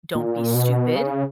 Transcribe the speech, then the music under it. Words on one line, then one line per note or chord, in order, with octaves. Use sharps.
don't be stupid,
A#2
B2
C#3